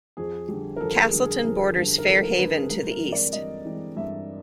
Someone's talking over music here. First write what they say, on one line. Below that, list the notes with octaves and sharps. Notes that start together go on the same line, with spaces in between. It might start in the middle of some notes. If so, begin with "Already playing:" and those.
Castleton borders Fair Haven to the east.
F2 G#4
D3 G3
A#4
F2 A4
G#4
D3 G3
G#4
F2 A#4
D3 G3
A#4
F2 A4
A#4
D3 G3 B4
G#4
G2 A#4
A#4
E3 G#3 C4
D5
G2 D#5
E3 G#3 C4
G2 E5